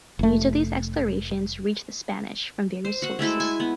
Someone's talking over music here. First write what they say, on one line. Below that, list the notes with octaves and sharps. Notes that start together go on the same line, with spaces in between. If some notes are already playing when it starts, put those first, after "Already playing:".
News of these explorations reached the Spanish from various sources.
F1 A3
C5
F#4 F#5
G#3 A3 E4 A4
G#5
B3